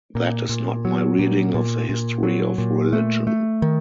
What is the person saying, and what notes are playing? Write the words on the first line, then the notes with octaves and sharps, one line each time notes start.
That is not my reading of the history of religion.
A#2
A#2
F#3
A#2
A#2
A#2
F#3
A#2
A3
A3
D#3